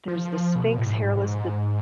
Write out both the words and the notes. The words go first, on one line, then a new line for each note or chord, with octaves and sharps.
there's the Sphinx hairless, the
F3
B2
A2
G#2
A2
G#2